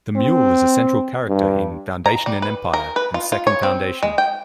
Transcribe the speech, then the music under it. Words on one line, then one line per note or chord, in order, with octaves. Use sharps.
The Mule is a central character in "Foundation and Empire" and "Second Foundation".
C4
G2
A#5
G3
B4
A#4
B4
F4
F4
C#5
C4
G#3
G5